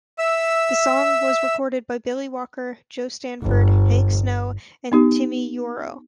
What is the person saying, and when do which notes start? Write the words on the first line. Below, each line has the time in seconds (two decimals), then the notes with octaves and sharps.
The song was recorded by Billy Walker, Jo Stafford, Hank Snow, and Timi Yuro.
0.19 E5 E6
3.43 G1
4.92 B3 D#4 G4